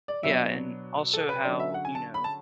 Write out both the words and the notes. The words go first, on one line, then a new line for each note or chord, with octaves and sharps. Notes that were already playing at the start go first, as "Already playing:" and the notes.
Yeah, and also how, you know,
D5
B2 F#3 B3 D4 E5
A4
B4
D3 F#3 C#4 D5
E5
F#5
G#5
A5
B5
A5